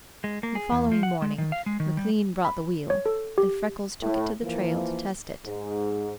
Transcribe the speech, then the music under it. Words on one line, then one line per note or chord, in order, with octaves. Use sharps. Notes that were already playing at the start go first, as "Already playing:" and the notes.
The following morning McLean brought the wheel, and Freckles took it to the trail to test it.
G#3
A#3
G#4
E2
F3
F#5
G#3
D#3
F5
G#3
D#3
G3
B5
C#5
A4
G4
A2
E3 F3 A#3
G#2